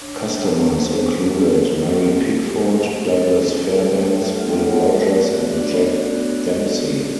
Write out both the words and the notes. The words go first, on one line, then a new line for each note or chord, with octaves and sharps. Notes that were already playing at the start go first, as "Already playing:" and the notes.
Customers included Mary Pickford, Douglas Fairbanks, Will Rogers and Jack Dempsey.
D4 C#5
G3
B3
D4
G3 C5
D4
D4
F4
F#3
C#4
C#4 G4
A3
F#3
A3
F#3
F#3
A#4
D4 A4
F4
D4
A3
D4 C#5
A3
E5
F4 F#5
G5
A3
C#5
B3 D5
F#4
F#4
F#4
D4 D5
B3
F#4
F#4